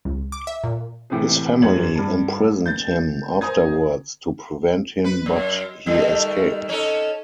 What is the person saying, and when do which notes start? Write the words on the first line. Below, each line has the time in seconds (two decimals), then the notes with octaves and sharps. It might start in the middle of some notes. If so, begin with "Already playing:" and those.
His family imprisoned him afterwards to prevent him but he escaped.
0.05 C#2
0.32 D6
0.47 E5
0.64 A#2
1.10 A2 C3 E3 C4 G#4
1.62 F#2 G#3 A#3 C#5 G#6 F#7
1.96 G2 A5
2.66 G6 A6
3.41 A#4 C5 G#5 A#5 D#6 G#6
5.04 B4
5.26 F#2
5.86 D#3 G3 A3
6.69 C#4 D#4 A4